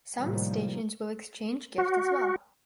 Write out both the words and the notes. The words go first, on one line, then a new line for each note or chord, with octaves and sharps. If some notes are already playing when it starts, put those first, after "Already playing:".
Some stations will exchange gifts as well.
A2 C3 D#3 F3 G3 A#3
F#4